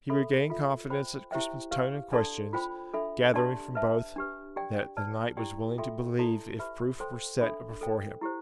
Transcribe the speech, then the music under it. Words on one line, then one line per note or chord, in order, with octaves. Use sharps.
He regained confidence at Crispin's tone and questions, gathering from both that the knight was willing to believe if proof were set before him.
A4 E5 B5
F4 A4 E5
C5 G5 B5
E4 G4 C5 E5 G5
G4 B4 F5
D4 A4 D5 A5 C6
F4 C5 G5 B5
D4 A4 E5 B5
D4 G4 D5 A5 C6
B4 E5 A5
D4 G4 B4
G4 D5 G5
B4 D5 A5
E4 G4 D5 G5
F4 A4 E5 G5 C6
E4 A4 D5 A5 C6
G4 B4 E5 B5
A4 C5 G5 C6
D4 A4 E5 B5
A4 C5 G5
E4 G4 C5